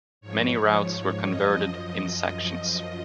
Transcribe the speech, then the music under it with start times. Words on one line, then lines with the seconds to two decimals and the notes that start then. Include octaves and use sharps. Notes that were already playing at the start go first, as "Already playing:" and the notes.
Many routes were converted in sections.
0.21 G#2 F3 C#5
0.74 C#5
1.27 F#2 F3 D#5